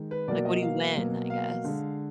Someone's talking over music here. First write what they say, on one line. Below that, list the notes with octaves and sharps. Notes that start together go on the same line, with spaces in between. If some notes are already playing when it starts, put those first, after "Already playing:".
Like, what do you win, I guess?
Already playing: D#3 G#3
B4
B2 F#3 A#3 D5
D#5
F5
B2 F#3 A#3
F5
D3 G#3